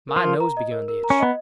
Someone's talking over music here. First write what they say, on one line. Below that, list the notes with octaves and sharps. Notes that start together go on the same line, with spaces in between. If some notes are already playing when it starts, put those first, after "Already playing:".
My nose begun to itch.
A#4
F3 F4
A#4
A#5
D#5
A#4
A#4
A#5
C#4
B3 D#5